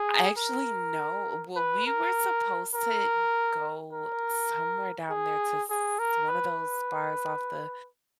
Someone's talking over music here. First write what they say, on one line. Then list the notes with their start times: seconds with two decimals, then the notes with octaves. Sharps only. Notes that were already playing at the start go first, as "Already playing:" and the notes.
Actually, no well, we were supposed to go somewhere down there to s one of those bars off the
Already playing: G#4
0.38 A#4
1.56 B4
1.86 A#4
2.75 A#4
3.93 A#4
5.10 G#4
5.70 G#4
5.99 A#4
6.29 B4